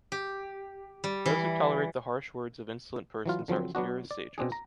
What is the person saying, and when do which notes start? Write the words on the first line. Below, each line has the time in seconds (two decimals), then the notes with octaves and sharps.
Those who tolerate the harsh words of insolent persons are as pure as sages.
0.12 G4
1.04 G3
1.26 E3
3.26 E3 F#3 F4
3.48 D3 F3 F#3 C4
3.75 F#3 B3 D4 F#4
4.11 D5
4.38 B2 C4 D4 G#4
4.52 A#5